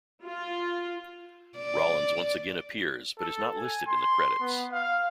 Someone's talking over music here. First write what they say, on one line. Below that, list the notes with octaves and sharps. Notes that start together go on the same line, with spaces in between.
Rollins once again appears but is not listed in the credits.
F4
D5
A4
G#5
C6
B3
F5